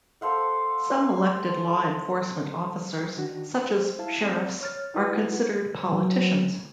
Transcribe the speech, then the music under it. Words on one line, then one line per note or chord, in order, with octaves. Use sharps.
Some elected law enforcement officers, such as sheriffs, are considered politicians.
A4 C5 F5 F#5
D#3 D4 F#4
C5
E4 F5 A5
C4 D5
C#5 F6 A6
D#4 E4 F#4 B4 F#5
F#3